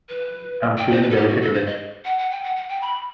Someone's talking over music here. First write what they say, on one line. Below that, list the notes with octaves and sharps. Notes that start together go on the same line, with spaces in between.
Am feeling delicate today.
B4
G5
C5
B4
A4
G4
F#4
A4
C5
D#5
F#5
F#5
G5
F#5
F#5
G5
B5